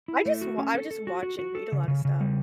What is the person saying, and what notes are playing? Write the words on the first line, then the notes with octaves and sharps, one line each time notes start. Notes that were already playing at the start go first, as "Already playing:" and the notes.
I just wa I just watch and read a lot of stuff.
E4
A3
F#4
C#4
A4
A4
F#4
F#4
F#4
A4
C#3
C#3
C#3
G3